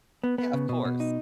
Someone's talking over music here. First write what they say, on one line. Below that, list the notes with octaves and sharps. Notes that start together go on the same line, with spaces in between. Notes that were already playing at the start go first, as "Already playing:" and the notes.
Yeah, of course.
B3
B3
C#3
B2
B2
D#4